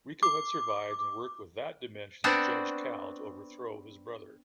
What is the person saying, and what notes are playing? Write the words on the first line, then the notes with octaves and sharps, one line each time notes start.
Rico had survived and worked with that dimension's Judge Cal to overthrow his brother.
D6
B3 C4 D4 F#4